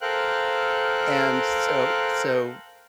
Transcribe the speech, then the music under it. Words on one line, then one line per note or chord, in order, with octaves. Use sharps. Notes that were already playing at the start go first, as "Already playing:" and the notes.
And so so
A4 A#4 C5 F5 G5 F#6